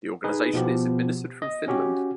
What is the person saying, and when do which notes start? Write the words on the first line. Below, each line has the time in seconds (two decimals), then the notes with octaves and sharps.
The organization is administered from Finland.
0.24 D#4 G#4 B4
0.54 B2 F3 B3 G4
1.42 D#5
1.68 C#4 F#4 G4